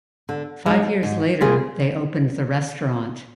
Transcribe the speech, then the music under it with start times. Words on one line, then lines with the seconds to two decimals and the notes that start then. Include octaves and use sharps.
Five years later they opened the restaurant.
0.29 D3
0.66 G#3 D#4
1.03 G#2
1.41 G3 A#3 F4 G#4